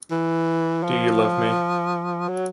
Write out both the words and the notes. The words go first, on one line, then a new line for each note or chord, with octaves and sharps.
Do you love me?
E3
F3
F#3